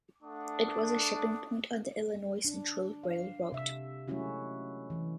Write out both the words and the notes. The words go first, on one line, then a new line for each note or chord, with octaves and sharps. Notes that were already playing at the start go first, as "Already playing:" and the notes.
It was a shipping point on the Illinois Central Railroad.
A3 D4 F#5 D6 D#6
D4
F5
C3 E5
F#3 G#3 A3 C#4 E4 F#4
E3